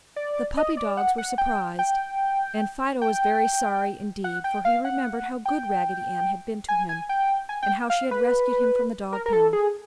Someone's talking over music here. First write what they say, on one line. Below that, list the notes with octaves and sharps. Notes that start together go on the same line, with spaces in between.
The puppy dogs were surprised, and Fido was very sorry indeed, for he remembered how good Raggedy Ann had been to him and how she had rescued him from the dog-pound.
D5
D#5
D5
F#5
F#5
G5
G5
G5
F#5
G5
F5
F#5
G5
G#5
G#5
G5
G#5
G5
F5
B4
A#4
A#4
A4
G#4